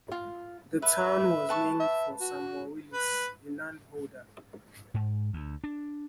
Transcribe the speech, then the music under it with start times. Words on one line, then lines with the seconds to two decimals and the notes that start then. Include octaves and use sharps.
The town was named for Samuel Willis, a landholder.
0.12 F4
0.82 B4 E5
1.49 B4 A5 C#6
1.80 E5
2.21 F#4
2.93 B4
4.94 G#2
5.33 D2
5.64 D4